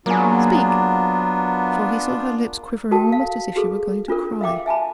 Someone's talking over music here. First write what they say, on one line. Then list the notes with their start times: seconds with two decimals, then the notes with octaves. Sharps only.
Speak!' For he saw her lips quivering almost as if she were going to cry.
0.06 F#3 A#3 B3 D4 F4 G#4
2.91 F#4 A4 A#4 G5 A5
3.12 F5
3.56 F#4 G#4 A4
4.08 D4 F4 A4 A#4
4.41 E5 F5 G5 D6
4.66 E5 G#5 A5 B5